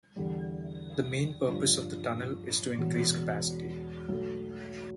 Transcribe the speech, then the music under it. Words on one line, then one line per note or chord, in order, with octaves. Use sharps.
The main purpose of the tunnel is to increase capacity.
E2 D3 G3
G1 G2 F3
E1 E2 B2
B1 B2 A3